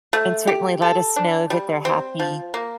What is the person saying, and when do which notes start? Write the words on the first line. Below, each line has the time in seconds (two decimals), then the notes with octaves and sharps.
and certainly let us know that they're happy.
0.13 A3
0.47 G4
0.82 A4
1.16 D4
1.50 G3
1.85 C4
2.20 F3
2.54 A#3